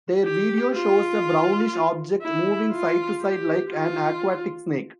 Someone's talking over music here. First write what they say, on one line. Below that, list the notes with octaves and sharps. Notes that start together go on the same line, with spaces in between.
Their video shows a brownish object moving side to side like an aquatic snake.
G4
F4
E4
F4
G4
F4